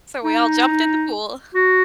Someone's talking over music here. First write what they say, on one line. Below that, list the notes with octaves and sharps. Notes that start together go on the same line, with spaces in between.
So, we all jumped in the pool.
D#4
F#4